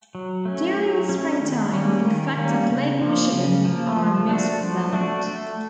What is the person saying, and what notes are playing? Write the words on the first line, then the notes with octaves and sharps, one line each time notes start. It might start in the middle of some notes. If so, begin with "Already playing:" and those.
During the springtime, the effects of Lake Michigan are most prevalent.
F#3
A3 C#4
F#3
A3 C#4
D#3
G3 A#3 C#4
D#3
G3 A#3 C#4
C#3
F3 A#3
C#3
F3 A#3
F3
A3 D4 F#4
F3
A3 D4 F#4
A3